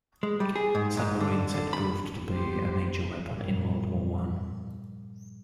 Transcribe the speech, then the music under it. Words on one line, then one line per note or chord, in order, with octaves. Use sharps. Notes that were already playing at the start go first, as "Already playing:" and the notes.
Submarines had proved to be a major weapon in World War One.
G#3
G3
G#4
G#2
G#2
D3
D3
B5
G2 G#3 B3 G4 C5
G2 A#2 F3 G3